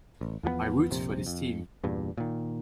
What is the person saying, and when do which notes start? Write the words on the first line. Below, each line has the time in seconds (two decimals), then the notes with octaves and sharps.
I root for this team.
0.21 A1
0.43 E2 F3 F#3 B3
0.90 F1 A#1 C3
1.27 F2
1.83 E2 G2 A#2
2.18 A#2 D#3